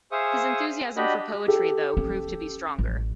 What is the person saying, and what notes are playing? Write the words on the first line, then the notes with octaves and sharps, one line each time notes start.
His enthusiasm for poetry, though, proved to be stronger.
G#4 C5 E5 F5 C#6 D#6
D4 F#4 G4 D#5 B5
G4 A4
C#4
A1